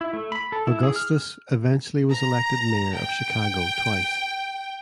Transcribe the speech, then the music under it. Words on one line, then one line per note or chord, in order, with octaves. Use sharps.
Augustus eventually was elected mayor of Chicago twice.
E4
A3
B5
A4
E4
G#4
F6
A#5
G5